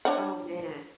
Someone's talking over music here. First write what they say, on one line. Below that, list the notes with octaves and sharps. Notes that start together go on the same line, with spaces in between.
oh man.
D4 C#5 F#5